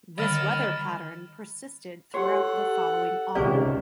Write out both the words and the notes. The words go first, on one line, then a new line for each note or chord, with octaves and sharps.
This weather pattern persisted throughout the following autumn.
D3 D#3 G3 A#4 D#5 B5 F6 A6
F#4 G4 A4 C#5 F#5
C#2 C3 D#3 C#4 G4 G#4 C5 D5